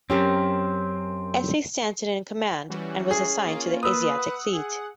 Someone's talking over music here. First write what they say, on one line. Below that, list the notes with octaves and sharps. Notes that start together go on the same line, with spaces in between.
S. A. Stanton in command, and was assigned to the Asiatic Fleet.
F#2 C4 C#4 G4 A#4
E3 G3 C#4 F#4
G#4
A#3 F4
B4 D#6 E6
F#5
G#4